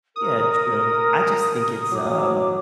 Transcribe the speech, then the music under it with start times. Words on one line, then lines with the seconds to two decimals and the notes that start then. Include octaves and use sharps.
Yeah, true. I just think it's, um,
0.16 A#4 D#6
1.92 F#3 D6